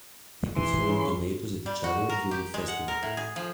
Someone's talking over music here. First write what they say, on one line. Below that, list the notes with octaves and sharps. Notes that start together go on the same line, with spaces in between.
People throwing tomatoes at each other during festival.
E3 C6
C#3
G3
F#4
A#4
G4
G#3
F#5
A#4
A2
G#4
F3